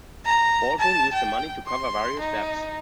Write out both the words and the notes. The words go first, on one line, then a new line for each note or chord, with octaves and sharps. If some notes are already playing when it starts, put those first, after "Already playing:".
Baldwin used the money to cover various debts.
A#5
A5
G5
C6
D#4